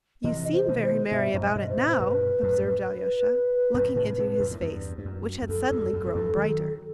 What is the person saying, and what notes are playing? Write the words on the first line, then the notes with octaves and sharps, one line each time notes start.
"You seem very merry about it now," observed Alyosha, looking into his face, which had suddenly grown brighter.
C3 E3 D#5
C5
B2 D#3
C5
G2 B2 E5
F#2 A2
D#5
A2
G2 B2
C5
A2 C3
C5
G2 B2 B4
F#2 A2
F#2 A2
A2 C3
A2 C3
F#2 A2
A2
E2 G2
G2
F#2
E2
F#2 A4
E2 G2
F#2
A2
E2 G2
D#3 F#3